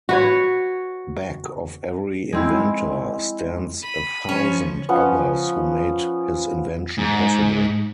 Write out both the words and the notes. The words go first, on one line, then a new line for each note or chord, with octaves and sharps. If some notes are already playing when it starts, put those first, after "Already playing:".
Back of every inventor stands a thousand others who made his invention possible.
F#4 B4 C#5
G#3 C4 E4
B5 D#7
F3 C#4 C#5
F3 B3 C#4
G#2